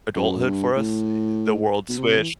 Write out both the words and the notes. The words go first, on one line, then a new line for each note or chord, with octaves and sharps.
adulthood for us, eh, the world switched.
F#2
F#2
G2
A2
B2
C3
E3